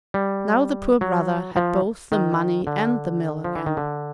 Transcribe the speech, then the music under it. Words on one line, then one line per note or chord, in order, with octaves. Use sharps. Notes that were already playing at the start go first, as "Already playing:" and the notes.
Now the poor brother had both the money and the mill again.
G3
F#3
F3
D#3
D3
F3
E3
D#3
D3